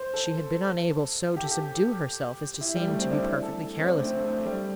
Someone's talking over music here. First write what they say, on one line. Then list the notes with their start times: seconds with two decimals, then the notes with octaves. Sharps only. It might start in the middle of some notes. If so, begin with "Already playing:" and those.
She had been unable so to subdue herself as to seem to be perfectly careless about it.
Already playing: C5
0.14 A4
1.37 G4
1.44 A4
1.51 G4
2.61 E4
2.75 G3
2.87 A3
2.99 C4
3.11 D4
3.22 E4
3.42 A4
3.79 C4
3.85 D4
3.97 A3
4.05 C4
4.25 A3
4.45 G3